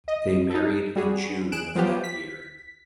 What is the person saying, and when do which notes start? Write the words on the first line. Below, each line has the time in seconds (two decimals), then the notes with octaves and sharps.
They married in June of that year.
0.08 D#5
0.50 D#4 A4
0.96 G3 F#4 G#4
1.52 E2 G#4 F#6 D7 E7
1.75 F3 F#3 B3 F4 G4
2.04 B6